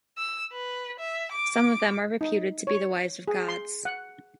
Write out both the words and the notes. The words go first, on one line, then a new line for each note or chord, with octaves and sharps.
Some of them are reputed to be the wives of gods.
E6
B4
E5
D6
D#4
C#5
G#4
C6
F#5